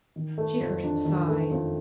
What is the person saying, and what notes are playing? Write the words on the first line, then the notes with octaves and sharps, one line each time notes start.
She heard him sigh.
D#3
A3
F2
D4
D#3
A3
F2